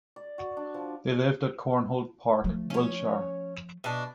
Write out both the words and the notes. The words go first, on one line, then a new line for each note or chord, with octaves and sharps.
They lived at Conholt Park, Wiltshire.
D5
F#4
D4
F3
F3 A3
C#4 C#5
B2 D4